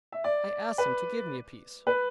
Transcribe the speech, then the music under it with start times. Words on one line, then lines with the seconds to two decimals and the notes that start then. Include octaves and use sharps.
I asked him to give me a piece.
0.12 E5
0.24 D5
0.78 B4
1.87 B4